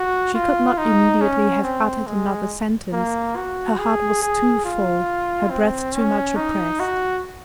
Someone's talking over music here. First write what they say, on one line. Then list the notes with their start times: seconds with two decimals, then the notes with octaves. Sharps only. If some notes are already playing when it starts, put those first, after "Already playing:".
She could not immediately have uttered another sentence; her heart was too full, her breath too much oppressed.
Already playing: F#4
0.35 F4
0.78 D#4
1.21 C#4
1.64 C4
2.07 G#3
2.93 A#3
3.36 F#4
3.79 G#4
4.22 G#4
4.65 F4
5.50 C4
5.93 C#4
6.37 D#4
6.80 F#4